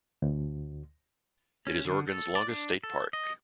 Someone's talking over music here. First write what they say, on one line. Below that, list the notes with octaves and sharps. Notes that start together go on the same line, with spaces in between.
It is Oregon's longest state park.
D2
C#4
D3
A4
D5
D4
A4
D#5